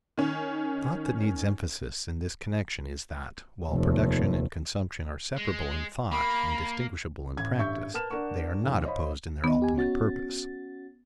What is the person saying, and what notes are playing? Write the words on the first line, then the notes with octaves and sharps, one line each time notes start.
The thought that needs emphasis in this connection is that, while production and consumption are separable in thought and distinguishable in practice, they are not opposed in their ultimate purpose.
D#3 C#4
F1 D#2
G#3
A#3 B5
A1 G#6
A1 G2 E5 C#6 G6
A#4 B4 A5 F6 E7
D4 A#4 F#5 C#6
B1 F2
C5 C#5 D#5 F5 B5
D#3 B3 D#5
D#2 G4 G#5
C#4 F#4 A6